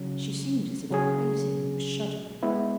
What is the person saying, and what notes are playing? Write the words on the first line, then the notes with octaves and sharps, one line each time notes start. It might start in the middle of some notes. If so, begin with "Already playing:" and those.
She seemed as if crazy, and was shuddering.
Already playing: C#3 F#3 C#4
C#3 F#3 C#4 G#4
G#3 B3 E4